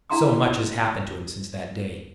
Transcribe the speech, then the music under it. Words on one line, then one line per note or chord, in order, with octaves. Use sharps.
So much has happened to him since that day.
D4 E4 F5 A#5 C6 D#6